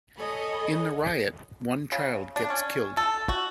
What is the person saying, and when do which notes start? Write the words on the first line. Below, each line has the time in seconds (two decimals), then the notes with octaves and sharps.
In the riot, one child gets killed.
0.16 A4 C#5 D#5 G#5 B5
1.92 C#3
2.36 D4
2.50 C#4
2.97 A4
3.29 F#4